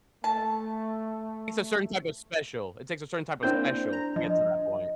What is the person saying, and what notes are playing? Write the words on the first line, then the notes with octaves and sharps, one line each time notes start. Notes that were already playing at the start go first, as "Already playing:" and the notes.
It's a certain type of special it takes a certain type of special to get to that point.
A3 A5
A#3 C4 D4 E4 C5 G6
A#5
F3 D#5